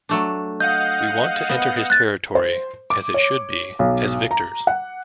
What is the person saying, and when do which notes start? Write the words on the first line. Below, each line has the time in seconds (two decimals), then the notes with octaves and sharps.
We want to enter his territory as it should be, as victors.
0.09 F#3 A3 D4
0.60 D#5 F5 F#5 G6
1.49 B3
1.90 F#6 A6
2.35 C5
2.90 D6
3.14 C#5
3.79 B1
4.31 A#5
4.67 F#5